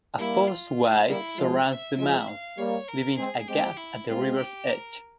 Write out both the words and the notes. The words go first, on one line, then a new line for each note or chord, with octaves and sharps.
A fosse wide surrounds the mound, leaving a gap at the river's edge.
G3 A#3 E4
F4
G3 A#3 E4
F3 G#3 F4
E5
F3 G#3 E5
F5
G3 A#3 C#5
A#4
G#3 C4 G#4
G#3 C4 G4
E4
G#3 C4 F4
G4
A#4